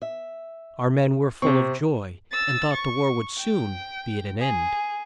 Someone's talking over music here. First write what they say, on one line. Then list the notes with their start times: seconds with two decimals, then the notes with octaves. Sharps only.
Our men were full of joy, and thought the war would soon be at an end.
0.02 E5
1.42 C3 C4 C#6
2.32 E6 A6
2.73 C#6
3.38 G5
4.39 G#4